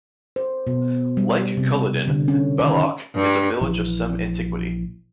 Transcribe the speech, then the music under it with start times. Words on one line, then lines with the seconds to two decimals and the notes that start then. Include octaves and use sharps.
Like Culloden, Balloch is a village of some antiquity.
0.36 C5
0.67 B2
1.17 G3
1.57 C3
2.08 D3
2.28 C#4
2.59 D#3
3.15 G2
3.61 A#1 E3